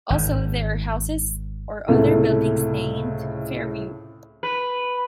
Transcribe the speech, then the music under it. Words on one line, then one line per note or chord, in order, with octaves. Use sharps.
Also there are houses or other buildings named Fairview.
G#1 G#2
C#2 A2 C3 A3
B4